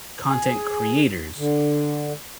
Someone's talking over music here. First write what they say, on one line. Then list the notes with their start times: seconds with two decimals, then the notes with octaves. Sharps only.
content creators
0.28 G#4
1.38 D3